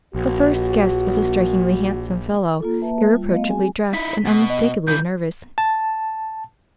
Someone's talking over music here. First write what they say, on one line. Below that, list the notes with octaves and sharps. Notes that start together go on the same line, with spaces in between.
The first guest was a strikingly handsome fellow, irreproachably dressed and unmistakably nervous.
A#1 F#4
A#3 F4 A4
A#3 B4 E5 A5
G3 F4
A3 B3 D#5 F5
G3 C4 F#4 G#4 G#5
D#4 E4 B6
B2
D#5
C2 E3 G6
A5